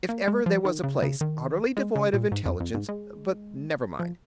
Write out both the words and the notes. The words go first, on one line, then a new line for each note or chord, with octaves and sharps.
If ever there was a place utterly devoid of intelligence-but never mind!
A#3
G#3
F3
D#3
C#3
C#3
D#3
G#3
C#3
A#2
G#2
F2
F2
G#2
G#3
F3